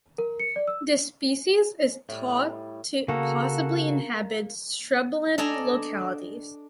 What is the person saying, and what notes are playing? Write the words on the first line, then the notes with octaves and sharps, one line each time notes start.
This species is thought to possibly to inhabit shrubland localities.
A#4
C#7
D5
E6
A2 G3
C#3 A#3 F#4 A4
D4 A4 D#5 G#5 A#5